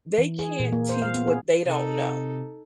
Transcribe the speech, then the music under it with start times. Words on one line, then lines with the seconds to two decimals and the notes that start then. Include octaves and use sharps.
they can't teach what they don't know.
0.18 E3
0.39 G#4
0.60 A#2
0.72 A#3
0.89 C5
1.02 F5
1.15 B3
1.27 G#4
1.65 C3 D#4 A4